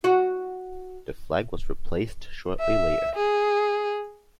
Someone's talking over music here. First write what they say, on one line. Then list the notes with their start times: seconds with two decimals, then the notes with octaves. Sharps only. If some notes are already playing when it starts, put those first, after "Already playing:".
The flag was replaced shortly later.
0.04 F#4
2.60 E5
3.15 G#4